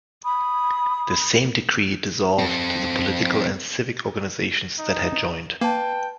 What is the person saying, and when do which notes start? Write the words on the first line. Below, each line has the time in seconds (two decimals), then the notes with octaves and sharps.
The same Decree dissolved the political and civic organizations that had joined.
0.24 B5 D#6
2.39 C4 A4
4.79 D#4
5.61 A#3 B4 G5 A5